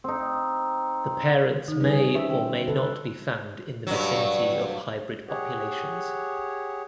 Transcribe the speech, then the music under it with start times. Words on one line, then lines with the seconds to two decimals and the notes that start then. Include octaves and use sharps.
The parents may or may not be found in the vicinity of hybrid populations.
0.04 C4 D#4
1.68 D3 D#3 D#4
1.81 G3 C#4 G#4 B4
2.15 C4 C#4 E5
2.30 G5
2.67 D3 A4 B4
3.87 G2 F#3
5.29 G4 G#4 C#5 F#5